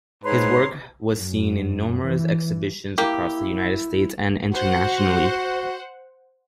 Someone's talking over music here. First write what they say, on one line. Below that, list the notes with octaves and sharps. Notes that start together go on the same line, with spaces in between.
His work was seen in numerous exhibitions across the United States and internationally.
G#2 B4 C#5 A#5 C6
F#2
E3
A#3 E4 G4
F#4 C5 F#5